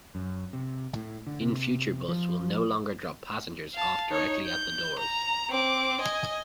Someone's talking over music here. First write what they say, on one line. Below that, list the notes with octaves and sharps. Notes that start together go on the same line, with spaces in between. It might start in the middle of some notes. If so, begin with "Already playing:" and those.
In future bus will no longer drop passengers off directly at the doors.
F#2
C3
A2
D3
C3
F3
F5 A5
D#4 C#5
G6
A#5
C4 D6
D#5 G#5